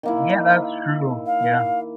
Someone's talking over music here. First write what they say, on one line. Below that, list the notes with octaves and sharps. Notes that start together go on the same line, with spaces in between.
Yeah, that's true. Yeah.
D#3 A#3 E4
F5